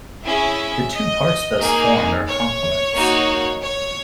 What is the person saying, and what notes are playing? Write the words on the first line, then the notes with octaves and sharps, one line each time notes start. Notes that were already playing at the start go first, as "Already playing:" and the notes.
The two parts thus formed are complements.
C#4 E4 G#4 E5
D#5
A#3 D#4 G#4
C#5
A#3 D#4 F#4
C#5